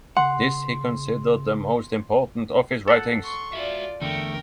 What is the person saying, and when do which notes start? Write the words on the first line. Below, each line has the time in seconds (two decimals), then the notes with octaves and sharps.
This he considered the most important of his writings.
0.17 C#3 F#5 C6
2.88 A4 F#5
3.23 C6 C#6
3.53 F4 F#4 D5 E5
4.02 E2 D3 A3 A#4 G5